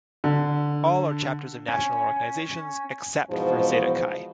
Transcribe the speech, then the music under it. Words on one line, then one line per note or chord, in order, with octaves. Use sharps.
All are chapters of national organizations, except for Zeta Chi.
D3
C#4
E2 G#2 B2 F3